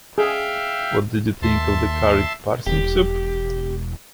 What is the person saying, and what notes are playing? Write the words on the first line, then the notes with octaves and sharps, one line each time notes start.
What did you think of the curried parsnip soup?
G#4 E5 F5 G5
D#2 E5 A5 C6
E1 G4